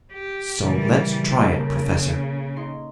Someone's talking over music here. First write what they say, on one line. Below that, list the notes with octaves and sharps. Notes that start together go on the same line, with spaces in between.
"So let's try it, professor."
G4
A#2 C#3 E3 G3 A3
C#3 A#3 A4 C5
D#4 C6 C#7